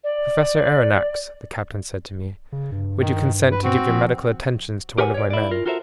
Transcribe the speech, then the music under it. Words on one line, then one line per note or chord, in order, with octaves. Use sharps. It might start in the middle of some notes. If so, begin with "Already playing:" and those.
"Professor Aronnax," the captain said to me, "would you consent to give your medical attentions to one of my men?"
D5
C#3
G2
D#3
B4
C4 F#4
F3
G4 A#4 B4 F#5 G#5
C#5 D5
E4 D5
F4 A#4
F4 F#4 A4 A#4 C5 E5